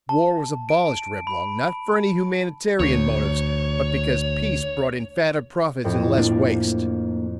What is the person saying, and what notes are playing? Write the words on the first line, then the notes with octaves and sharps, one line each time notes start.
War was abolished, Reblong, not for any humanitarian motives, but because peace brought in fatter profits and less waste.
A5
D7
B5
D2 C#5
F2 A2
A#3 D4